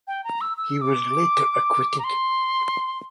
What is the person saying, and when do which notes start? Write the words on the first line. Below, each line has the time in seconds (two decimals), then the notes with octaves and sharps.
He was later acquitted.
0.07 G5
0.24 A#5
0.41 E6
0.57 E6
0.82 D6
1.99 A#5
2.04 C6